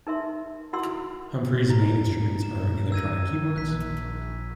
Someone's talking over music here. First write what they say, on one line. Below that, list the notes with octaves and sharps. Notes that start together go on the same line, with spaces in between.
Humphreys' main instruments are electronic keyboards.
D#4 A#4 E5 C6
E4 F#4 A#4 F#5 C6 E6
A#5
E7
D#3 E6 G#6 D#7
A#1 F#6 B6